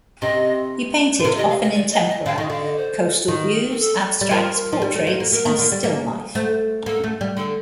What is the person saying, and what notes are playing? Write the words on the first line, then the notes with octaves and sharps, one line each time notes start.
He painted, often in tempera, coastal views, abstracts, portraits and still-life.
C3 D#5
D3
C3 A#4
D#5
F5
D#5
D5
D#5
D#5
D3 F5
D#3 D#5
D3 F5
D#5
C5
D#3
A#4
A4
G3
F3 A#4
F3
G3
A3
A#3
A#3
A#3 A#4
D#3
D3
G3
A#3
A3 C5
A#3 A4
A3
G3
D3 A4